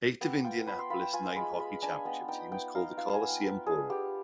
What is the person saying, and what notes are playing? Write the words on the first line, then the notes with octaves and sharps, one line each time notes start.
Eight of Indianapolis' nine hockey championship teams called the Coliseum home.
B3 G5
F4 G5
B3 B5
C6
F4 B5
G5
F4 G#5
G#3 B5
G#3 B5
D4 G#5
B3 G5
D#4 G5
B3 G5
D#4 F5
F4 F5
G#5
B3
G5
B3 B4
D4 G#4
B3 G4